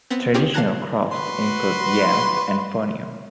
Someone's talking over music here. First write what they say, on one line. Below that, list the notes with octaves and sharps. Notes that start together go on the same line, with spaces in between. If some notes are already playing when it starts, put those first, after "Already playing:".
Traditional crops include yams and fonio.
B3 C4
A#3 C4 C#4 F4 G4 G#4
F5 F#5 A5 A#5 F#6 G#6
F#4 B4 C6